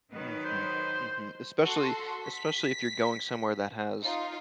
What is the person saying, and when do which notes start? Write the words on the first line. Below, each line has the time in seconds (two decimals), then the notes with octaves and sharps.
Mhm. Mhm, especially especially if you're going somewhere that has,
0.11 D#3 F#3 B4
0.45 C5
1.62 F#4 A4 C6
2.23 B6
4.02 D#4 F4